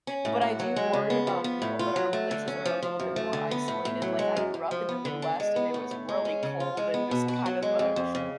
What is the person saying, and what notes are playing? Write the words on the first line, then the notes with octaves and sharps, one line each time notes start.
But I do worry about people that are in places that are a little bit more isolated, like, I grew up in the Midwest and it was really cold and just kind of a
C#4
A2
F#4
F#3
G#3
C#3
B3
F3
B3
A2
F4
F#3
A3
D3
C#4
F3
F3
F#2
A3
D3
B3
A2
A2
F#3
G#3
F#2
F#2
F3
B3
D3
D4
G#3
B3
A2
A2
G#3
C#4
C#3
F4
G#3
B3
B2
F#4
F#3
G#3
F2
F2
C#3